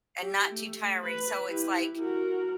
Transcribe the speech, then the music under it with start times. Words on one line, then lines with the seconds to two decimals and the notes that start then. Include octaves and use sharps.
and not too tiring. So It's, like,
0.20 G4
0.50 A3
1.02 B4
1.47 E4 G4
1.98 F#4 A#4